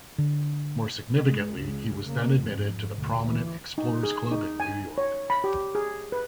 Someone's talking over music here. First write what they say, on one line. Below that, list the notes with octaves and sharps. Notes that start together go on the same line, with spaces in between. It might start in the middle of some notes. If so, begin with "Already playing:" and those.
More significantly, he was then admitted to the prominent Explorers' Club in New York.
D3
G#3
C#2 G#3
C#3 A#3
F2 G#2
D2 B2
E3
D#4
G#4
D#4
G#5
C#5
B5
G4
G#4
B4